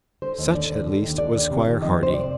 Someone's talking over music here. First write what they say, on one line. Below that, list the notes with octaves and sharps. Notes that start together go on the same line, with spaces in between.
Such, at least, was Squire Hardy.
D3 C5
D#2
D3 D5
D#2
D3
D#2
D3 D5
D#2
C3
D#3
F2 D#5
F2 C5
C3 D5